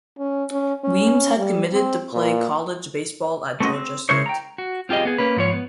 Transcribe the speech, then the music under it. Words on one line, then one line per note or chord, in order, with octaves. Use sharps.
Weems had committed to play college baseball at Georgia State.
C#4
C#4
C#4
G3
C4
A#2
A3 C4 C#4 E4 F#4 D#5
C4
C#3 G#3 E4 A#4 C5 C#5
G5 A#5
F#4
C4 F4 G4 G#4 D#5
B3 G#4
A#3 C#4 B4
G#2 F3 C#5
B3